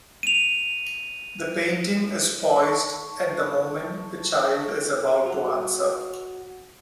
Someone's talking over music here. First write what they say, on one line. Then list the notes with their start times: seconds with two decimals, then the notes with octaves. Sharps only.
The painting is poised at the moment the child is about to answer.
0.23 D#7 F7
2.59 A5 C#6
5.26 F#4 F#5